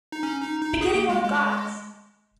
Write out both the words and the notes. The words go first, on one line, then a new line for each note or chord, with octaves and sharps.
Beginning with Guards!
D#4
C#4
D#4
D#4
G#4
A#3
G#3
G#3